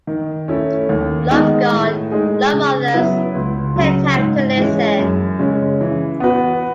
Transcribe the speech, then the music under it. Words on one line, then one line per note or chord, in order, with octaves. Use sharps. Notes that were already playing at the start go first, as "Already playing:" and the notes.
Love God, Love Others, Take Time to Listen.
D#3
A3 C#4 E4
D#2
D#3 G#3 B3 D#4
A2
G#3 D#4 G#4
C#3
F#3 B3 E4 B4
C#2
C#3 F#3
G#2
E3 G#3 C#4
F#2
C#3 G#3 C#4
E3
B3 F#4 B4